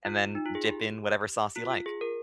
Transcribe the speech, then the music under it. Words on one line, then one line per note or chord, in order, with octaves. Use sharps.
And then dip in whatever sauce you like.
F4
D#4
F4
G#4
G4
F4
F4
G#4
A#4